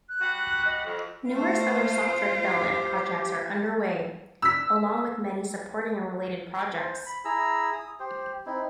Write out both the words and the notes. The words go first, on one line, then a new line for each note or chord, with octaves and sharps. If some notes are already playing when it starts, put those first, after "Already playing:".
Numerous other software development projects are underway, along with many supporting and related projects.
F#6
G3 F#4 F#5
D#5
F2
A3 F4 C5
G4
E6 B6
C5
B5
E4 G#4 A#5 E6
D#6
G4 C5
C4 D#4 E4